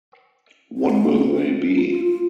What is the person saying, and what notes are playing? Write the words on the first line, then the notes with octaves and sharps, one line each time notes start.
What will they be?
C4
G#3
A#3
C4
C4
F4
F4
F4